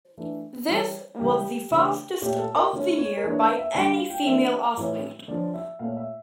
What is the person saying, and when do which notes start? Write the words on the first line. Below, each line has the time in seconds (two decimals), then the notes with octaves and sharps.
This was the fastest of the year by any female athlete.
0.17 E3 A3 D4
0.69 E3 G3 C#4
1.20 C#3 E3 G3 G4
1.71 C#3 E3 A3 D4
2.22 A#2 A3 C#4 G4
2.39 A4
2.55 A#4
2.73 D3 A3 C#4
2.98 C#5
3.17 A#4
3.24 E3 A#3 D4 C#5
3.41 F5
3.58 E5
3.75 D3 G3 D4 D5
3.92 F5
4.10 G5
4.26 E3 A#3 D4 E5
4.77 A2 E3 A3 C#4
5.28 D3 F3 C#4 D5
5.54 E5
5.79 A#2 A3 C#4 F5
5.97 E5